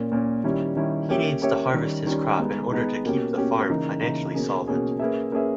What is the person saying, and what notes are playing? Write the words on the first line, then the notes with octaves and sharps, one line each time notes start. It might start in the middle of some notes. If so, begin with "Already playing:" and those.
He needs to harvest his crop in order to keep the farm financially solvent.
Already playing: A#2 A#3 C#4
A#2 A#3 C#4
D#3 G3 C#4 E4
D#3 G3 C#4 E4
A#3 C#4 G4 C#5 E5
A#3 C#4 G4 C#5 E5
D#3 G3 C#4
D#3 G3 C#4
G#3 B3 D#4
G#3 B3 D#4
B2 A#3 C#4 G4
B2 A#3 C#4 G4
C#3 E3 A#3 D#4
C#3 E3 A#3 D#4
B2 A#3 C#4 G#4
B2 A#3 C#4 G#4
A#3 C#4 G#4 B4 E5
A#3 C#4 G#4 B4 E5